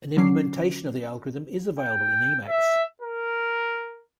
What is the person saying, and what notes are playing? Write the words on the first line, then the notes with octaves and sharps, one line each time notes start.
An implementation of the algorithm is available in Emacs.
D3 F#3 C#4 D6 C7
G5
E5
A#4